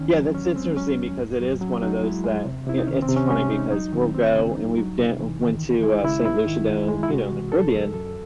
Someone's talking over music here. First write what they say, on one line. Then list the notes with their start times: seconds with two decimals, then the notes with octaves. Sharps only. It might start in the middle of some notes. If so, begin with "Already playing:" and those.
yeah, that's interesting, because it is one of those that it it's funny, because we'll go, and we've do went to, uh, Saint Lucia down, you know, in the Caribbean,
Already playing: D#3 C#4
0.13 F#3
0.34 D#2 C#4
0.56 G#3 C4
0.77 F#3 C#4
0.98 D#2
1.19 G#2
1.40 F#3
1.61 F#3 C#4
1.82 F#3 D#4
2.03 G#3 E4
2.24 G#3
2.45 C3
2.67 C3 E4
2.78 D#4
2.87 D#3 C#4
3.02 C4
3.09 C3
3.16 C#4
3.30 G#3 C#4
3.50 C2 D#4
3.72 F#3 D#4
3.93 D#3 C4
4.14 C#2 C4
4.36 C#2 C#4
4.57 F#3 D#4
4.78 F#3
4.98 C3
5.19 E3
5.41 D#3
5.62 C#2
5.83 G#3 E4
6.03 C#3 E4
6.25 G#2 E4
6.47 D#3
6.68 F#2
6.88 G#3
7.03 E4
7.10 C3 F#4
7.31 E3
7.52 F#2 A4
7.73 F#2
7.94 F#2 A4